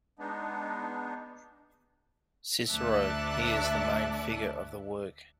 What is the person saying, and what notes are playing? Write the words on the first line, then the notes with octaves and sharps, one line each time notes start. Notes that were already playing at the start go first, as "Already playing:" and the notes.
Cicero - He is the main figure of the work.
G#3 B3 D4 D#4
D2 A3 D5 E5 A5 F#6